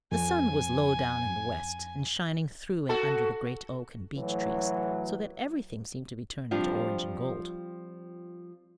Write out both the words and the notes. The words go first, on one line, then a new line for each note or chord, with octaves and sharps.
The sun was low down in the west, and shining through and under the great oak and beech trees, so that everything seemed to be turned to orange and gold.
F2 G#5
F#4 A4
A2 E3 F#3
F3 G3 C4 D4 F4